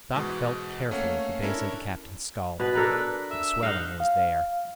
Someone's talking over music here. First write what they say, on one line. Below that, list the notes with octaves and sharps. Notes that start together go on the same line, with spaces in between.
Doc felt carefully at the base of the Captain's skull; the swelling was there.
G#2 B2 E3 G#3 F#4
A3 A#3 C#4 C#5 F5 F#5
C#4 D4 E4 A4 A#4
B2 B4
D4 A4 A#4
E5
D#4 F5 F#5
F5